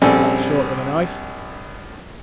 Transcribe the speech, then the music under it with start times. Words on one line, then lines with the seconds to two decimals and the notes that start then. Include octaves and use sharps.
"What sort of a knife?"
0.02 A#1 G3 C4 C#4 A4 G#5